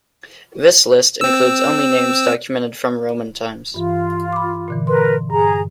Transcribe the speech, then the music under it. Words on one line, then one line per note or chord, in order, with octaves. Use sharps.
This list includes only names documented from Roman times.
C4 E6
G2 E3 F4
B5 D6
A#2 D3 E3
A#4 B4 C6
G2 G#4 A#5